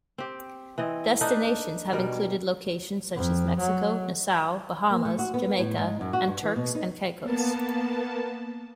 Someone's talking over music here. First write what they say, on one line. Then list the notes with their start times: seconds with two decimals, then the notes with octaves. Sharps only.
Destinations have included locations such as Mexico, Nassau, Bahamas, Jamaica, and Turks and Caicos.
0.18 C4 G4
0.78 E3 C4 D#5
1.21 D4 D#4 A4 B4
1.92 B2 G3 A#4
3.15 F2
3.59 F#3
4.90 A#3
5.05 A3
5.19 F#4
5.34 B3
5.59 A2
5.78 G#2
6.01 F#2
6.13 F#4
6.28 G2
6.43 E3
6.56 B2
6.75 D#4
7.22 A#3 B3 A5